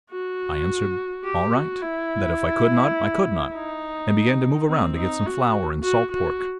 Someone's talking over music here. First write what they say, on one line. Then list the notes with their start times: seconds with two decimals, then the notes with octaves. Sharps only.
I answered "all right," that if I could not I could not, and began to move around to get some flour and salt pork.
0.11 F#4
1.25 G4
1.53 F#4
1.82 E4
3.54 D#4
4.68 C4
4.97 D#4
5.26 F#4
5.83 F#4
6.12 F#4